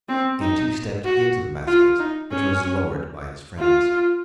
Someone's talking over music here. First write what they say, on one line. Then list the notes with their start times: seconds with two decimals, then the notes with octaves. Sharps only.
And he stepped into the basket, which was lowered by his friends.
0.09 C4
0.41 D#4
1.05 F#4
1.67 F4
1.99 D#4
2.31 C#4
3.58 F4